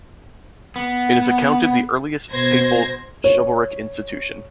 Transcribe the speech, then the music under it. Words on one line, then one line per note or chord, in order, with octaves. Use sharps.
It is accounted the earliest papal chivalric institution.
B3
B2 C5 G#6 A#6
C#5